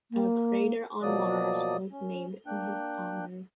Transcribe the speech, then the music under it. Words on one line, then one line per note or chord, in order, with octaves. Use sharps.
A crater on Mars was named in his honor.
A#3
B2 F3 F#3 A#3 D5 D#6
C#4
A#3 D4 G5 F#6